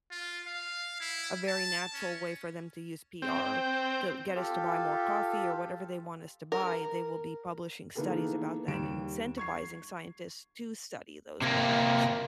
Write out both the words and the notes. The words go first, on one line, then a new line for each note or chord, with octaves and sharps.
a very natural way for them to use PR to get us to buy more coffee or whatever they want us to buy, they will be publishing studies about that and incentivizing scientists to study those products.
F4
F5
E4
A5
C#4
C4 G5
F4 G4 A4
A#4
D#3 E3 A#3 B3 G#4 A4
D#2 G3 D7 E7
C#6 G#6 C7
C3 A#3